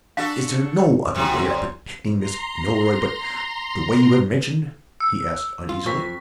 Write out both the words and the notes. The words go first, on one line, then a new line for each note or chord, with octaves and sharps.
"Is there no other way of protecting Miss Milroy but the way you have mentioned?" he asked, uneasily.
D4 F#4 A4 F5
F#2 C3
D5
A#5 C6
E6
F4
F2 C#6 B6